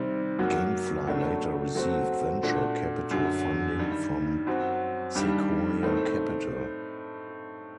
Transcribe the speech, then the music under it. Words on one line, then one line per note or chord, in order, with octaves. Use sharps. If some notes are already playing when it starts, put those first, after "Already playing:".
GameFly later received venture capital funding from Sequoia Capital.
Already playing: C3 D#3 G3 C4
F#2 F#3 A#3 F#4
A2 F#3 A3 D4
F#3 A3 C4 F#4
A#2 A3 D4 F#4
F#2 D3 F#3
G2 D#3 G3
F#2 F#3 C4 F#4
G2 D#3 G3 D4 G4
A2 A3 C4 D#4